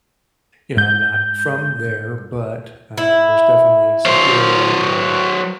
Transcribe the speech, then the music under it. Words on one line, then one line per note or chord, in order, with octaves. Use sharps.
you know, I'm not from there, but, uh, there's definitely some Peoria, um,
G#2 G6
E4
F#3 C5